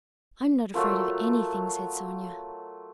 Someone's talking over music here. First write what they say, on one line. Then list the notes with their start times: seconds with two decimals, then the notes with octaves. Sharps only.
"I'm not afraid of anything," said Sonya.
0.74 F#3 A3 F4 A#4